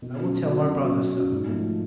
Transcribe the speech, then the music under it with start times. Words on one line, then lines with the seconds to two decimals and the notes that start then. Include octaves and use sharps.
I will tell my brother so.
0.02 B2
0.18 F#3 C#4 F#4
0.35 B2
0.50 F#3 C#4 F#4
0.67 B2
0.83 F#3 C#4 F#4
0.99 B2
1.16 F#3 C#4 F#4
1.32 G#2
1.47 F3 A3